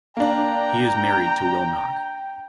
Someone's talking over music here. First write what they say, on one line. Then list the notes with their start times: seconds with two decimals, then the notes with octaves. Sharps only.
He is married to Will Knock.
0.17 A#3 D4 G5 A#5